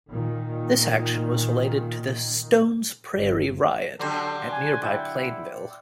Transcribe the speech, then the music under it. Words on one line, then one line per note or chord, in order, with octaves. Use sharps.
This action was related to the "Stone's Prairie Riot" at nearby Plainville.
A#2 D#3
G1
D3 F#3 G4 A4 C5 D5
G#5
E4 D5 F#5 G5